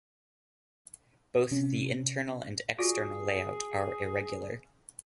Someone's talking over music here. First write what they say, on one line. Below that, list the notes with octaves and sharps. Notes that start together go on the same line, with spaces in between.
Both the internal and external layout are irregular.
C3 C#4
F4 F#4 G#4 D5